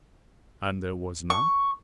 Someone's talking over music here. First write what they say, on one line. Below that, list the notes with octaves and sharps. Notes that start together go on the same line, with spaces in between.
"And there was none?"
C#6